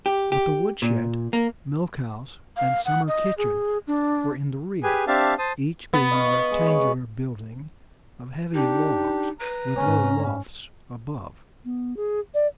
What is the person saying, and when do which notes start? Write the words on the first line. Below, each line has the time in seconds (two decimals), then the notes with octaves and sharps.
But the wood-shed, milk-house and summer kitchen were in the rear, each being a rectangular building of heavy logs, with low lofts above.
0.06 G4
0.32 G4
0.82 A#2
1.33 A#3
2.57 F5
2.85 F#5
3.08 D#5
3.38 G#4
3.87 D4
4.83 G4 G#4 B4 G#5
5.07 C4 D4 G4 E5 F5 A5
5.38 C5 A5 D#6
5.94 B3
6.11 D#5 F5 C#6
6.25 D#5 F5
6.51 G#3
6.67 C#5
8.55 D4 D#4 G4
9.40 B4 A#5
9.76 G#2 C#4
11.65 B3
11.97 G#4
12.34 D5